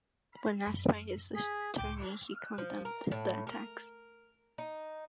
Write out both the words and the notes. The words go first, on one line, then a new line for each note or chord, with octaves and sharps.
When asked by his attorney, he condemned the attacks.
F#2
G#4 B6
C#2 A2 G5 D6 G6
F3
A#4
A2
A#4
D#4